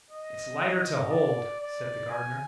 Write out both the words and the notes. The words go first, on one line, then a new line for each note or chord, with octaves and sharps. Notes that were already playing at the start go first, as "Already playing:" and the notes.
"It's lighter to hold," said the Gardener.
D#5
D5
D5
G#5